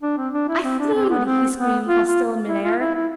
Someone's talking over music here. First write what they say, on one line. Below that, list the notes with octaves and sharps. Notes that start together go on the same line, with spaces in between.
"I flewed!" he screamed while still in mid-air.
D4
C4
D4
E4
C4
D4
C4
B3
C4
B3
F4
F4
E4
F4
E4
E4